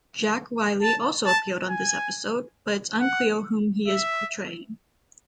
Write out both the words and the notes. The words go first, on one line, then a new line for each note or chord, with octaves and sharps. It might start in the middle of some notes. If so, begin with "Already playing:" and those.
Jack Riley also appeared on this episode, but it's unclear whom he is portraying.
A5
A5
G#5
F#5
E5